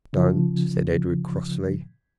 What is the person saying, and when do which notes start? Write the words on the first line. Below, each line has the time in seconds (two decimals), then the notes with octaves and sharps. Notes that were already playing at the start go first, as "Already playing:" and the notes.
"Don't!" said Edred crossly.
0.13 C#3 F3